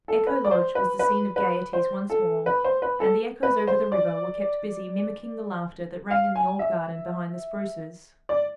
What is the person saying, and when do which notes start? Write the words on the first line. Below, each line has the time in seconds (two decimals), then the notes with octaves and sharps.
Echo Lodge was the scene of gaieties once more, and the echoes over the river were kept busy mimicking the laughter that rang in the old garden behind the spruces.
0.08 A4
0.27 B4
0.45 D5
0.51 C5
0.75 B4
0.99 B4
1.36 B4
1.73 C5
2.10 A4
2.46 B4
2.64 C5
2.82 B4
3.00 A4
3.43 B4
3.67 C5
3.92 D5
6.11 F5
6.36 G#5
6.59 E5
8.29 D5